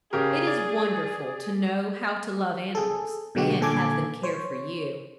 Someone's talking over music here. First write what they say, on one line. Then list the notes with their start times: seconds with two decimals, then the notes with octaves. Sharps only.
It is wonderful to know how to love animals, and have them care for you.
0.13 C#3 G4 G#4 A#4
0.47 D5
2.75 G#4 A4
3.35 B2 D3 F#3 G#3 F#4 G4
3.61 A#2 D3 A4 G#5 D6 G#6
4.23 C5 C#5